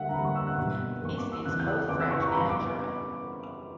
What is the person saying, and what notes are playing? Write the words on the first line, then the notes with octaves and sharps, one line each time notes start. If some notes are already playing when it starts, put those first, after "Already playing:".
He speaks both French and German.
Already playing: D2 D3 G3 A#3 E5 F#5
A#5
D2 D3 G3 A#3 B5
C#6
E6
F#6
B1 B2 G3 A#3
B1 B2 G3 A#3 C#6
D6
E6
E2 C#3 E3 B3 F#6
G6
F#6
E2 C#3 E3 B3 D6
E6
C#6
C#6
A#5
F#2 C#3 G3 B3 B5
D6
C#6